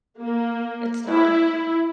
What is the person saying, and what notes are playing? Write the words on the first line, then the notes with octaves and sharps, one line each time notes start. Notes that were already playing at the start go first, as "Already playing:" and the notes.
It's not.
A#3
E4